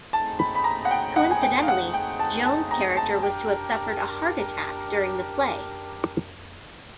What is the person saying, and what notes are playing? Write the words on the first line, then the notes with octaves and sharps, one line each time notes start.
Coincidentally, Jones's character was to have suffered a heart attack during the play.
A3 C4 D#4 G#4 A5
B5
B5
A#5
F#5
G5
F#5
G#5
G5
F5
F#5
G5
A5
A5
A#5
A5
D4 G4 A#4 G5